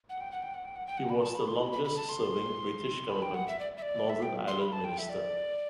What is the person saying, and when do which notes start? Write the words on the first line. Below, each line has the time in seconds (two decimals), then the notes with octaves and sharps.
He was the longest serving British government Northern Ireland minister.
0.09 F#5
0.20 G5
0.32 F#5
0.42 G5
0.54 F#5
0.65 G5
0.76 F#5
0.87 G5
0.98 F#5
1.09 B5
1.22 A5
1.35 B5
1.47 C6
1.60 B5
1.73 B5
1.85 B5
1.97 A5
2.09 C6
3.09 B5
3.22 G5
3.34 F#5
3.48 E5
3.59 D5
3.78 E5
3.82 D5
4.09 E5
4.23 G5
4.48 C6
4.60 B5
4.72 A5
4.84 G5
4.98 E5
5.09 D5